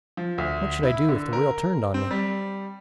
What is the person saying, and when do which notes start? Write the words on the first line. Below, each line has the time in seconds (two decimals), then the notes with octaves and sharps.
What should I do if the whale turned on me?
0.17 F3
0.38 D2
0.83 E4
1.09 D3
1.33 A#4
1.94 C4
2.11 G3